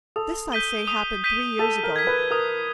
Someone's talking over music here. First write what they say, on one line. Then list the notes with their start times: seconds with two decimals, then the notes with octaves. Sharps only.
This, I say, happened three years ago.
0.16 A4 D#6
0.52 G6 B6 D#7 G7
0.88 D#6
1.24 G6 B6 D#7 G7
1.59 A4 D#6
1.83 A#4
1.96 G#6 B6
2.07 B4
2.31 A#4 D#6